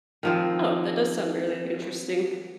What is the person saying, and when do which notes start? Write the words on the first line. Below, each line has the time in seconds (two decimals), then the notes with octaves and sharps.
Oh, that does sound really interesting,
0.23 D#3 F3 C4